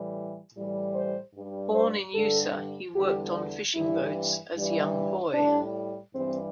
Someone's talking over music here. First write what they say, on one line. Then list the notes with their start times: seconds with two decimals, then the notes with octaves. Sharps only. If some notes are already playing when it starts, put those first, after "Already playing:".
Born in Usa, he worked on fishing boats as young boy.
Already playing: A2 E3 G3
0.54 A2 E3 G3
0.94 C5
1.35 G2 G3
1.75 C5
2.14 G2 D3 G3 A4
2.95 E2 D3 G3 G4
3.74 G2 E3 G3 E4
4.55 G2 E3 G3
5.34 A2 G3 D4
6.14 G2 E3 G3 C4